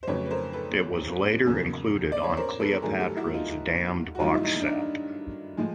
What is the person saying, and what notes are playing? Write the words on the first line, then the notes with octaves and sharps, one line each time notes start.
It was later included on Cleopatra's Damned Box Set.
C5
F2 C#3 F#3 A3 B4 C#5
B4
A#4 C5
A4 B4
E2 C#3 F#3 A#3
D5
C#5
A#4 C5
A4 B4
G2 D#3 F#3 A3 G#4 A#4
G4 A4
E4 F#4
D#4 F4
F#4
G2 D#3 F#3 A3 D#4 F4
E4
D#4
D4
D#4
A2 F3 G#3